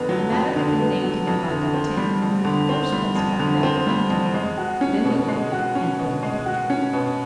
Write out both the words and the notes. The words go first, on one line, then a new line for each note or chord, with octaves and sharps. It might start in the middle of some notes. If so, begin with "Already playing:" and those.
The matter had been named to him by d'Artagnan, who in the first place pointed out the money to him, then the glory, and then the danger.
Already playing: F2 D3 B3
F#3
F2
D3
B3
F#3
F2
D3
C4
G3
F2
D3
C4
G3
F2
D3
C4
G3
F2
G#3
F#4
C#4
B2
G#3
F#4
C#4
B2
G#3
F#4
C#4
B2